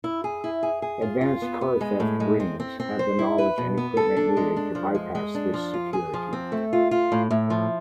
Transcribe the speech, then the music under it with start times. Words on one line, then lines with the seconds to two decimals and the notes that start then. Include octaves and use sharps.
Advanced car theft "rings" have the knowledge and equipment needed to bypass this security.
0.04 E4
0.24 G#4
0.44 E4
0.63 G#4
0.82 G#4
1.02 F4
1.21 F4
1.42 B3
1.61 B3
1.81 G#3
2.00 A2
2.20 G#3
2.40 C4
2.60 C4
2.80 C4
2.99 C5
3.19 E4
3.38 B4
3.58 B2
3.78 B3
3.97 A4
4.17 D4
4.37 G#3
4.56 D4
4.75 F3
4.95 G#3
5.15 G#3
5.35 D4
5.54 F3
5.74 F4
5.93 G#4
6.14 F3
6.33 C4
6.52 A3
6.73 F4
6.91 F4
7.12 A2
7.30 A2
7.50 F3